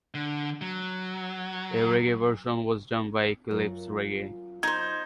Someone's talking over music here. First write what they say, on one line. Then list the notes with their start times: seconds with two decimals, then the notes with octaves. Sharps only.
A reggae version was done by Eclipse Reggae.
0.14 D3
0.61 F#3
3.51 F#2 F4 A#4
4.63 D#4 C5 G#6